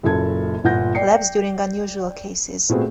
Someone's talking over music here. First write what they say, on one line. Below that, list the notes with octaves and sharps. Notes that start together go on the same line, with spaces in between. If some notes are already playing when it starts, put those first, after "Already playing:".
Labs during unusual cases.
F#1 F#2 A#2 A4 A5 G#6
G1 A#2 F#5 G6 A#6
D5 G5 C7 C#7
A#2 A3 B3 C4 F#4 G#4